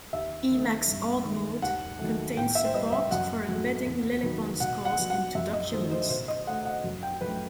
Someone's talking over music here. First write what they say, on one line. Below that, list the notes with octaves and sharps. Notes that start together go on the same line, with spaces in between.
Emacs' org-mode contains support for embedding LilyPond scores into documents.
D#2 E5
D#3 A3
G2
D#3 A3
D#2 F#5
D#3 F#3 A3
A2 G5
E5
C5
G3 B3 D#5
E5
F#2 F#5
F#3 A3
E2
D#3 F#3 B3
B2 F#5
F#5
F#3 B3
F#5
F#2 E5
D#5
D#3 A3 C5
C5
B2 C5
D#5
A3 F#5
F#5
F#2
G5
F#3 A3 B4